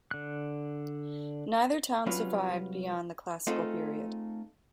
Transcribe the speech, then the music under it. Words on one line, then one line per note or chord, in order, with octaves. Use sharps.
Neither town survived beyond the classical period.
D3 F#6
C2 F#3 G3 C#4 F4 B4
A3 C4 D#4 F4 G#4 A4